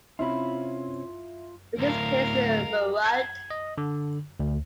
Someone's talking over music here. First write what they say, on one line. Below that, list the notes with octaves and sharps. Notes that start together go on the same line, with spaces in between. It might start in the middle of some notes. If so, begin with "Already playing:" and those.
Which is placed in murud.
C3 C4 C#4 E4 F4 B5
D2 A2 A#4 F5
G#6
D#5
D3
D2